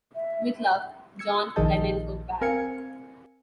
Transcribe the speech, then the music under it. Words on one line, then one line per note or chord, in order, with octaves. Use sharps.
With love, John Lennon of Bag.
E5
E6 G#6 C#7
A#1 D#3 G#4 D#5 A5 G6
C4 A#4 F5 G#5 G#6 C#7